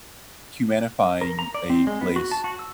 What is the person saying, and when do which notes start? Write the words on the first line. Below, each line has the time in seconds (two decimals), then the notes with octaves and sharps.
humanifying a place
1.21 A#4
1.39 A#5
1.54 D5
1.70 C4
1.87 G#3
2.01 B3
2.16 F#4
2.31 A5
2.44 F#4
2.59 E6